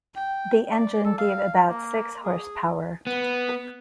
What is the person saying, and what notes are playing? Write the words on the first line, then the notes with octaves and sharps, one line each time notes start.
The engine gave about six horse-power.
G5
D5
A4
F5
A#3
G#4
B3